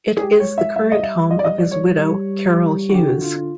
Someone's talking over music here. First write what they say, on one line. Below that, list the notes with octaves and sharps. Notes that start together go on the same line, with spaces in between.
It is the current home of his widow Carol Hughes.
G#4
G#3 G4
C#5
E5
G3 E5
D#5
E5
D#5
D5
D#5
D5
C#5
G3
F#4
D3 G4
F#4
F4
F4